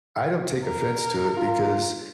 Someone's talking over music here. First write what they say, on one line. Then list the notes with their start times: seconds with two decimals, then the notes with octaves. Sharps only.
I don't take offense to it because,
0.64 A#4
1.37 F4